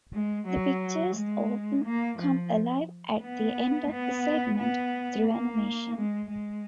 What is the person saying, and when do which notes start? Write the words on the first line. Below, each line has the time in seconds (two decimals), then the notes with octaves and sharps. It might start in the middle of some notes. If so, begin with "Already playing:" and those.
The pictures often come alive at the end of the segment through animation.
0.14 G#3
0.48 F#3
1.16 G#3
1.85 A#3
2.19 F3
3.22 B3
3.91 B3
4.59 B3
5.28 A#3
5.97 G#3
6.31 G#3